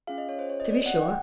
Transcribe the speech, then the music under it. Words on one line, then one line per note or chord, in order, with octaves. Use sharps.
'To be sure.
C#4 F4 G#4 F5
D#5
C#5
C5
C#5
D#5
D5
F#5
G5